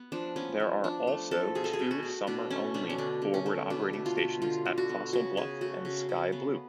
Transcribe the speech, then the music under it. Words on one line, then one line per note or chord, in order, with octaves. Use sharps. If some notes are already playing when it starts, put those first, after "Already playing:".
There are also two summer-only forward operating stations at Fossil Bluff and Sky Blu.
Already playing: B3
F3 D4
B3 C#4
F3
F3 D4
A3
F3 A4
B2 G#4
A4
G#4
B2
F#4
A3
B2 D4
A3 C#4
B2 D4
C#4
D3 D4
D3
C#4
A3
B2 D4
A3
F4
B2
D3 F4
D3
F#4
B3
C#3 F#4
C#3 G#4
A3 F#4
C#3
C#3
B3